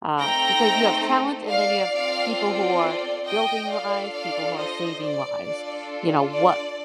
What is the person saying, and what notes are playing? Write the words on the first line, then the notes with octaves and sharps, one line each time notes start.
uh, because you have talent and then you have people who are building lives, people who are saving lives. You know, what
A3 C4 D#4 A4 G5 A#5
D5 F5
C4 F4 A4 D5 F5
D5
D5
D#5 G5
D4 F4 A4 D5 F5
D5 F5
C5 D#5
D5
D4 F4 A4 D5
D5